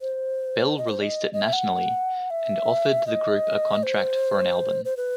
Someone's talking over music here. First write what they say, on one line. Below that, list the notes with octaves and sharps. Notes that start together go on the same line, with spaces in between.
Bell released it nationally and offered the group a contract for an album.
C5
D#5
C5
D#5
D#5
E5
F#5
E5
D#5
C5
C5
B4